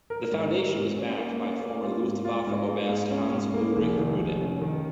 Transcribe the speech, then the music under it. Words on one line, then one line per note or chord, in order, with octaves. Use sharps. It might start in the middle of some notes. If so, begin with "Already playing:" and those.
The foundation was backed by former Luftwaffe Oberst Hans-Ulrich Rudel.
A#4
G#2
A#4
G#2
C#4
A#3
C#4
A#3
F4
G#2
F4
G#2
G#3
G#2
C#4
G#2
A#3
F1
D#3
F1
C#4
D#3